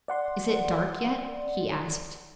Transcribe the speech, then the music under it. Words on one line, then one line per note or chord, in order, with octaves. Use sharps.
'Is it dark yet?' he asked.
D5 F#5 C6